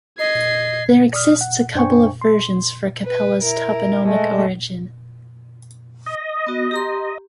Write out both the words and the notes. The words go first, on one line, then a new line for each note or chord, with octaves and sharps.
There exists a couple of versions for Capela's toponomic origin.
D#5 G#6 C7
D5 D#6 F6
F#5
F#2 D4 C5 G5 G#5 C#6
C6
B4
E4 A#4
G#3 A3
D#5
B3 F#4
G4 A#5 C6